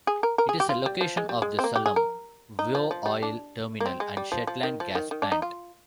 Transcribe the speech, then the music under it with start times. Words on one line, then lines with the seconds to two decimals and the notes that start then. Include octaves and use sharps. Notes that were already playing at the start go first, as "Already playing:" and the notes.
It is a location of the Sullom Voe oil terminal and Shetland Gas Plant.
0.07 G#4
0.23 A#4
0.38 A#4
0.49 G#4
0.60 G4
0.69 F4
0.86 G3
1.01 F3
1.17 G#3
1.29 G3
1.42 G#3
1.59 C4
1.64 A#3
1.76 G4
1.86 G#4
1.96 A#4
2.59 D#4
2.75 F3
2.91 F3
3.06 G3
3.23 D4
3.80 A#3
3.86 C4
4.00 G#3
4.17 G3
4.32 F3
4.47 F3
4.63 D#3
4.80 F3
4.95 D#3
5.11 D#3
5.22 D4
5.32 D#4
5.42 F4